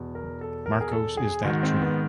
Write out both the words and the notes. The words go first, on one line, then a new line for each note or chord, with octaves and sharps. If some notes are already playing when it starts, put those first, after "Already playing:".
Markos is that tree.
Already playing: E2 B2
A#4
A4
A#4
G#4
A4
G#4
G#2 D#3 F#4
C4
B3